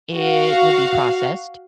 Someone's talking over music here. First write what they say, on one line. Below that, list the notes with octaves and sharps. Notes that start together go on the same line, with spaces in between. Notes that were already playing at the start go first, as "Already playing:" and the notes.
it would be processed,
F#4 F5